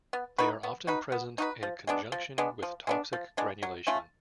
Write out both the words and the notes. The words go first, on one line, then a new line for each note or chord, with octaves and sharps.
They are often present in conjunction with toxic granulation.
B3
D#4 F#4 B4
B3
D#4 F#4 B4
B3
D#4 F#4 B4
F3
G#3 B3 D4
F3
G#3 B3 D4
F3
G#3 B3 D4
F3
G#3 B3 D4
F#3
A3 C#4 F4